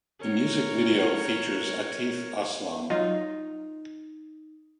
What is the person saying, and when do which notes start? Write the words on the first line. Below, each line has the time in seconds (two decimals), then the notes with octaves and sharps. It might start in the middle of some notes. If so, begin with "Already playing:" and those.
The music video features Atif Aslam.
0.21 A#4 C#5
2.90 F#3 D#4 F4